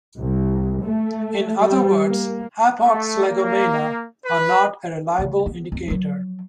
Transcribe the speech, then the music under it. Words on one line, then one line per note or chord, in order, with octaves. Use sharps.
In other words, "hapax legomena" are not a reliable indicator.
C2
A3
G3
A#3
A3
A#3
B4
C#3 A3
B3
F2 F#3
F3 F#3